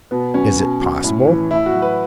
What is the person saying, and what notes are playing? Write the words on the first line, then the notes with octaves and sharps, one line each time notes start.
"Is it possible?"
B2 B3
F#3 C#4
B2
F#3
A2
E3
A2 E4
F#4
F#3
B4